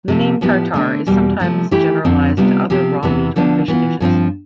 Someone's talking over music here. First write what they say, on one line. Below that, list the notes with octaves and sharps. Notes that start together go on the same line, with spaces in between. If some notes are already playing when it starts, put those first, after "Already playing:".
The name tartare is sometimes generalized to other raw meat or fish dishes.
C3 F3 A3
A2 F3 B3 E4 G4
D3 A3 D4
E2 B2 G3
C3 F3 A3
E3 A3 E4 G4
F2 D3 F3 C4
C3 G3 B3 D4 F4
C3 F3 C4 G4
E2 C3 E3 B3
D3 F3 B3 D4
E3 B3 F4
G2 F3 C4 F4